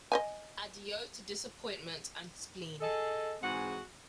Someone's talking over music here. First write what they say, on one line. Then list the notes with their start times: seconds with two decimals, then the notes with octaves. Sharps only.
Adieu to disappointment and spleen.
0.12 D#5 E5 G#5
2.81 G#4 A4 D#5
3.42 G#2 E3 C4 F#4 G#4 F#5